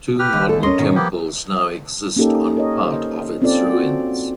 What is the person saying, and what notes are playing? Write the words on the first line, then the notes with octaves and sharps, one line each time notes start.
Two modern temples now exist on part of its ruins.
G4 B4 F6
F#1 D#2
E2 A4
D#2 C#4 A#4 D#5 C6
G#2 B2 D#3
F3 A#3 B3 G4
A#3 C#4 D#4 G4 A4
A#4 C#5 D#5
C5
C4 C#4 F4 A4 D5
F#4